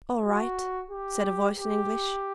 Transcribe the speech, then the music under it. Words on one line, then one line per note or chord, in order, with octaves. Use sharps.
"All right," said a voice in English.
F#4
G4
G4